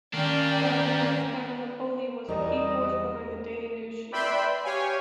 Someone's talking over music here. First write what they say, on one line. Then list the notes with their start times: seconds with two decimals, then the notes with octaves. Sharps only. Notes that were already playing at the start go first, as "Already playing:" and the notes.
Kathleen McKenna-Napoli was 'a key force behind the daily news-sheet.
0.14 D#3 G3 A#3 C#4 D4 D5 G5
2.29 E1 E2 G3 D#4 D#5
4.12 B4 D5 E5 G5 B5 C6
4.64 G4 C#5 F5 G#5